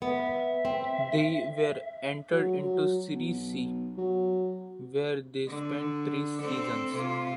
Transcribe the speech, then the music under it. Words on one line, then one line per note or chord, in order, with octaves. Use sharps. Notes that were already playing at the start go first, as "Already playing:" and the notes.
They were entered into Serie C, where they spent three seasons.
B3 E5
C4
F#3
F#3
B1
F#3
D3
C4 A4
C3 F4